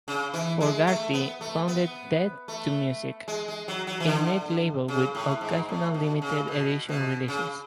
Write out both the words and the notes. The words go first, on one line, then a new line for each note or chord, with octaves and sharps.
Fogarty founded 'Death To Music', a Netlabel with occasional limited edition releases.
C#3
E3
G#3
A3
B3
A3
B3
A3
G#3
G#3
F#3
F#3
E3
D3
C#3
A2
G#2
A2
B2
C#3
B2
B2
C#3